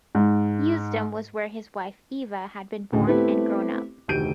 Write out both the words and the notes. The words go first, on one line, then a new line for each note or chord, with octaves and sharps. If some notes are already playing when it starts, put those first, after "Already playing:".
Usedom was where his wife Eva had been born and grown up.
G#2
D2 A2 C#3
A3 B3 C4 E4 G4 B4
F1 D2 D#3 G6 D7 D#7